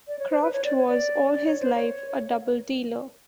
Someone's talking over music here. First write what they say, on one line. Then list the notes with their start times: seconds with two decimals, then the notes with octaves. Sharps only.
Croft was all his life a double-dealer.
0.08 D5
0.19 C#5
0.30 C5
0.42 B4
0.53 C#5
0.64 D5
0.77 C#5
0.88 D5
1.33 D5
1.47 C#5
1.61 C5
1.74 C#5